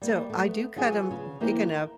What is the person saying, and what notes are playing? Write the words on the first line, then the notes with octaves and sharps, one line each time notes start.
so, I do cut 'em big enough
G3 A#3
A3 B3
F#3 B3 F4 G#4
C#3
E3 A#3 C5 E5 G5
A#4